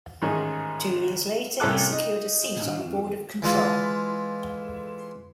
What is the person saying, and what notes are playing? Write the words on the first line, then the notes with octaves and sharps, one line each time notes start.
Two years later, he secured a seat on the Board of Control.
A1 G#2 D#3 C#4 G#4
C2 A2 C#4 A4 D6 F#6
D#4
E3 G#3 F4